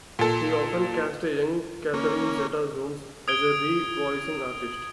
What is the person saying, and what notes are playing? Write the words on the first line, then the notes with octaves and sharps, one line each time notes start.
He often cast a young Catherine Zeta Jones as a re-voicing artist.
A#2 A4
A#3 C#4
D#6 G#6 D7 G7